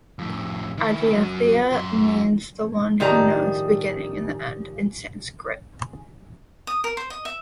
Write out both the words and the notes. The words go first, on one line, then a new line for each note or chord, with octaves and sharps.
Adyanthaya means "the one who knows the beginning and the end" in Sanskrit.
F2 A2
D#3 E4
F#3 C#4
F#2 C6
A2 D#3 F3 G3 G#4 A#5
D#6
A#4
C5
D#5
E5